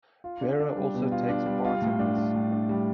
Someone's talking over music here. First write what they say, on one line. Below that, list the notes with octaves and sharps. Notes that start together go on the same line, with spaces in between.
Vera also takes part in this.
F4
D4
D4
G3
B2
F4
D4
G3
F4
A2
D4
D4
A2
D4
G3